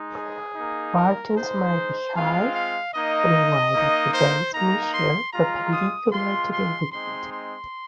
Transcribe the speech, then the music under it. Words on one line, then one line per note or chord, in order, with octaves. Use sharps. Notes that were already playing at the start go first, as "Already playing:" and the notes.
Barchans may be high and wide at the base measured perpendicular to the wind.
Already playing: G#3 D#4
G#4
A#3 D#4
A#4
G#3 D#4 C5
G#3 C4 F4 F5
F5
A#3 D#4 D#5
A#3 D#4
C5
A#3 D#4 A#5
C6
G#3 F4 A#5
D#6
G#3 F4 C6
C6
G#3 C4 D#4 C6
C6